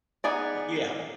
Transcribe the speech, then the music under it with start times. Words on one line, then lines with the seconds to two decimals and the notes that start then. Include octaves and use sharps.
Y yeah.
0.24 B3 D#4 G#4 D5